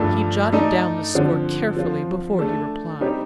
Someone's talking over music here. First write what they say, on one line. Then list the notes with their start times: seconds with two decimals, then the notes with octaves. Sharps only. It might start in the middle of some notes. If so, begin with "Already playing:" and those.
He jotted down the score carefully before he replied.
Already playing: G2 F3 A3 D4 A4
0.52 A3 D#4 A4 D5
1.15 D3 F3 C4
1.77 F3 C4 F4
2.39 A3 D4 A4
3.01 G3 C4 D#4 G4